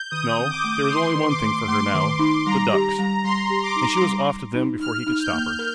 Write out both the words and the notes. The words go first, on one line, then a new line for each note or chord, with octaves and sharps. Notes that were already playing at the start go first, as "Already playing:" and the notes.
No--there was only one thing for her now--the ducks, and she was off to them before he could stop her.
Already playing: G6
D#3 D#6
C4
D6
A3
D#3 C6
D#3
D6
A3
A3 C6
D#3
D#4
G3 A#5
G4
G3
G3 C6
G4
D6
D#4
G3
G3
D#4
D#4 F6
D#4
G6
A#3
A#4